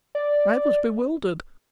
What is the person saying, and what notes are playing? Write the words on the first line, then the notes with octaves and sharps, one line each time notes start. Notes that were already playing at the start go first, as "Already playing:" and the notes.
I was bewildered.
D5